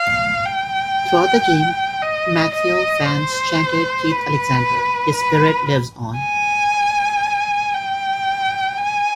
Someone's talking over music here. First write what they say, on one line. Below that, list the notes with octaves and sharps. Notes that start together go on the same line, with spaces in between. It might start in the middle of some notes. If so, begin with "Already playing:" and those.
Throughout the game, Macclesfield fans chanted "Keith Alexander, his spirit lives on".
Already playing: F5
G5
D#5
D#5
C5
B4
B4
G#5
G5
G#5